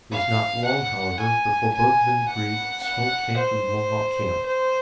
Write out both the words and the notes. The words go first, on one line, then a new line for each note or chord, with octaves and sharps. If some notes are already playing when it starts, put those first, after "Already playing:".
It was not long, however, before both of them agreed that the smoke came from the Mohawk camp.
F5
F#5
G#5
G#5
F#5
F#5
C5
C5